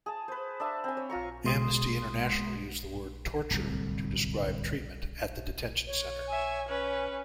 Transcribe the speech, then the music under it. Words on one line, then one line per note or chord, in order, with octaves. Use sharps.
Amnesty International used the word "torture" to describe treatment at the detention center.
G#4 A5
B4 C5
D4 E5 A5
C4 G#5
C#5
F4 A#5 C#6
B2 G#3 C6 D#6
D1 C2
C#5
E5 G#5
C#4 B4